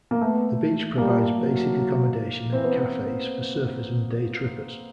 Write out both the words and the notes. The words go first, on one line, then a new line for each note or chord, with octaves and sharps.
The beach provides basic accommodation and cafes for surfers and day-trippers.
A#3
A3 B3
G3 A#3
F#3
E3 C4
B3
C4